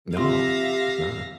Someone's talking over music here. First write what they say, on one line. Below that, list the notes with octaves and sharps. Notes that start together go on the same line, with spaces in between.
No, it's not.
C4 F4 G4 E5 F5 C6 A#6